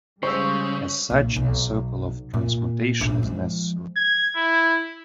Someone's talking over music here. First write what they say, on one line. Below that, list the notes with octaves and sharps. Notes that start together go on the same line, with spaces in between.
As such, a circle of transmutation is necessary.
C#3 G3 G#3 C5 C#6 E6
B1 A#2
B1
A#2
A#1 D#2
F3 G#3
G#6
E4